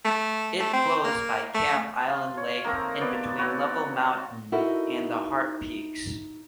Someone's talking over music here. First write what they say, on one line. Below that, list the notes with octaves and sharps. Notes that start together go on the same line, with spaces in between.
It flows by Camp Island Lake and between Level Mountain and the Heart Peaks.
A3
A3
C4
A#3
A3
F4
C#5
D#3 A3 A#3 C4 A#5
B3 C#5 D5
C4 F#4 B4 C#5
D#4 E4 F#4 A4 A#4